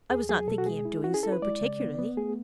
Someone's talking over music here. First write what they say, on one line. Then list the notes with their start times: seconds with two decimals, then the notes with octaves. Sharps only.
"I was not thinking of doing so particularly."
0.10 E2 G#4
0.29 F#3 G#4
0.48 B2 A4
0.58 F#4
0.66 G#3 G#4
0.85 E4
1.04 C#4 F#4
1.14 G#4
1.23 E4 A4
1.32 B4
1.42 G#3 D5
1.61 C#3
1.80 B3
1.99 B3
2.17 A3 G#4